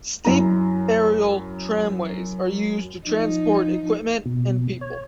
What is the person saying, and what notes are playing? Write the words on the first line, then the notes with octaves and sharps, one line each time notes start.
Steep aerial tramways are used to transport equipment and people.
F#2 E4 A#5
F3 D#4
B2
C#5